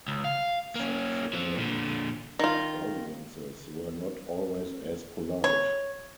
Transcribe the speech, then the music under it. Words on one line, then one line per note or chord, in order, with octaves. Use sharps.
Subsequent audiences were not always as polite.
C#2
F5
A#3 C#4
F3 C4
A#2 D3
D#3 F4
C#5